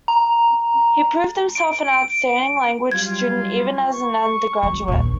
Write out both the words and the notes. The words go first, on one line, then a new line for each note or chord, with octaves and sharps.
He proved himself an outstanding language student even as an undergraduate.
A#5
D7
F#3 G3 F4 G#6
C#6
F#3
A#1 D#2